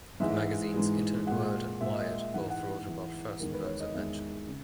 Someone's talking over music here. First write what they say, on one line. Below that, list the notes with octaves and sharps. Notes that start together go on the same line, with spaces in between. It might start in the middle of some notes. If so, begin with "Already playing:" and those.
The magazines "Internet World" and "Wired" both wrote about Firstenberg's adventure.
G#2 E3 G#3 E5
G#2 E3 G#3
A#2 G#3 F#5
A#2 G#3 E5
D#5
E5
E5
G#2 E3 G#3 F#5
F#5
G#2 E3 G#3
E2 D#3 G#3 A#4
B4
C#5
D#5
E2 D#3 G#3 E5
C#3